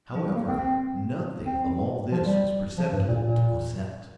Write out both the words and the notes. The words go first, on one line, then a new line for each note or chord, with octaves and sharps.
However, nothing of all this was perceptible to Cosette.
F3
G3
A#3
C4
C4
F3
G3
F3
G2
A#2
A#2